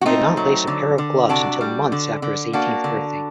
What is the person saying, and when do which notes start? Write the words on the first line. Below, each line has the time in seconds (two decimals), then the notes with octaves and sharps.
He did not lace a pair of gloves until months after his eighteenth birthday.
0.01 F#4
0.05 A3 C4 D#4
0.37 F#3
0.67 D3
0.98 D3
1.29 C3 D4 F#4
1.61 G3
1.92 D3
2.22 D3
2.53 A#3 D4 F#4
2.84 D3